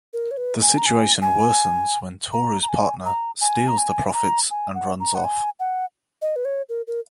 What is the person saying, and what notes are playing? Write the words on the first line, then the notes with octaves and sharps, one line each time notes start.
The situation worsens when Toru’s partner steals the profits and runs off.
A#4
C#5
B4
G#5
A#5
G#5
G#5
A#5
A#5
G#5
A#5
G#5
A#5
G#5
G#5
A#5
G#5
F#5
A#5
F#5
G#5
F#5
D#5
B4
C#5
A#4
A#4